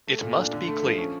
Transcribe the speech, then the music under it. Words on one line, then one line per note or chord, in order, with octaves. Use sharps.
It must be clean!
A3
A#2
D4
D3
A3
F3
C#4